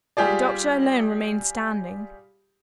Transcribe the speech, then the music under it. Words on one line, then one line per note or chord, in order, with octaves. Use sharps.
The doctor alone remained standing.
G3 F4 G4 G#4 D5